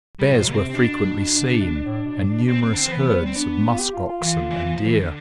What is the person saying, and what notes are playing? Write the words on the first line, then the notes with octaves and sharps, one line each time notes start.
Bears were frequently seen, and numerous herds of musk-oxen and deer.
G3
A2 F3
B2
D3
C3 C4
C3
C4
B2 D4
D3
C3
B2
A2
B2
A2
B2
B2 C4
C4
D3 D4
C4
F3
E3 B3
F3
G3 C4
B3 D4
F4
G4
F4
F4
E3 F4
D3
E3
E3
F3
E3
D3